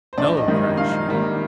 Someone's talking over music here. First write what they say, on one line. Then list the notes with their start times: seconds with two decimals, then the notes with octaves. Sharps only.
"No!" cried she.
0.13 C5
0.18 A#1 D5
0.37 D#5
0.48 G#2 D#3 G3 A#3
0.57 D#5
0.77 A#1 F5
1.07 G#2 D#3 G3 A#3